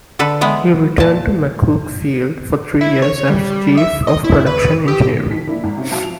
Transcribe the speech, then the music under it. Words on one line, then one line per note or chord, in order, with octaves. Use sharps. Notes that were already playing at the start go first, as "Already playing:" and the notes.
He returned to McCook Field for three years as chief of Production Engineering.
D3 A4 B4
E3 G#3 B3
A#2 A5
E4
C#5
G3
G3
E5
D#5
E4
B4
G4
D#3 F3 B6
F3 A#3 D4 E4
G#1
C3 C4 C#4
B2 F#3 E5 F5 A5 D7
F3 F7